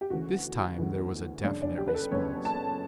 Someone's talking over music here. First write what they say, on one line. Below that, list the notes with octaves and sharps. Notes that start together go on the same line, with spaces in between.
This time there was a definite response.
G4
D2 C#3 E3 F#4
D2 C#3 E3
F#1 F#2 C#3 D4
D4
G4
B4
A4
F#1 F#2 C#3 C#5
A5